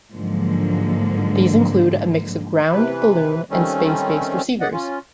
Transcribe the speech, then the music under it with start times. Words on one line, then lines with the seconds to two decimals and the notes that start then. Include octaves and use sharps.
These include a mix of ground-, balloon- and space-based receivers.
0.12 G#2 D3 F3 F#3 G#3 A#3
2.71 C3 E3 B4
3.50 D#3 G3 A3 C4 C#4
4.60 D5 D#5 F#5
4.73 C#4 F4